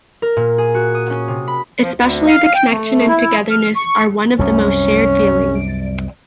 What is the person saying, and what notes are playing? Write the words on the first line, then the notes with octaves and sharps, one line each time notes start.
Especially the connection and togetherness are one of the most shared feelings.
A#4
A#2
G#4
F#4
D#6
C#4
C3
B5
F3
D2
F5
G5
A3
E4
F6
C#6
C2 F#2 C#4